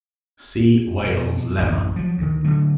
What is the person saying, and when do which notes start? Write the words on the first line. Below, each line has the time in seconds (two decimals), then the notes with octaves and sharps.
See Weyl's lemma.
1.04 B2
1.58 A1 F#2
1.96 F3 F#3
2.18 D2 D#3
2.44 D3 F#3 A3